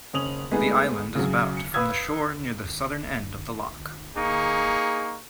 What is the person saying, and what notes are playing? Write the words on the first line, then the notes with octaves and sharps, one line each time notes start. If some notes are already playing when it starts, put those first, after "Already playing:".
The island is about from the shore near the southern end of the loch.
F#1 C#4 D#6 F7 F#7
G#3 A3 B3 D#4 G#4
C#3 F#3
C#7
B4 F5 D#6 E6 G#6
A#3 D#4 G#4 C#6